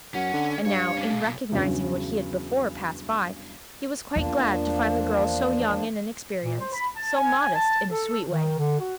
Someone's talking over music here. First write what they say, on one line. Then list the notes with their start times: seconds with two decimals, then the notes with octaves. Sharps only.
And now in recognizing what he had before passed by, he was quite glad to find the girl so young and inexperienced--so modest, in a sweet way.
0.14 F#2 C#4 F#5
0.33 D3
0.65 G2 C#5 F5
0.98 C#4 D4
1.12 B1 A#2
1.52 E2 G2 C#3 F#3
4.16 E2 F3 A#3 D4
6.44 A#2
6.60 C5
6.73 B5
6.95 A5
7.15 G#5
7.55 A5
7.91 A4
8.30 D#3
8.58 D3
8.80 F#4